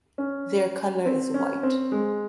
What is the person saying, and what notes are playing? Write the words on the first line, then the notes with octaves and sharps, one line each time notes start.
Their color is white.
C#4
C4
C#4
C4
G#3